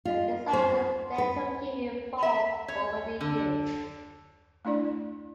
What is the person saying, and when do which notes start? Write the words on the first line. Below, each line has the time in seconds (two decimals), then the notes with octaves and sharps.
The design of the dental key evolved over the years.
0.05 F4
0.53 C5
1.18 B4
2.23 E5
2.68 C#5
3.21 D3
4.65 A3 D4 E4 D5